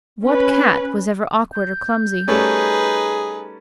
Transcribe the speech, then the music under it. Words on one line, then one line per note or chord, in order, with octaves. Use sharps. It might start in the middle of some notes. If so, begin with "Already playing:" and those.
What Cat was ever awkward or clumsy?
C#4 B4
G6
G3 A3 C#4 D#4 G#4 B4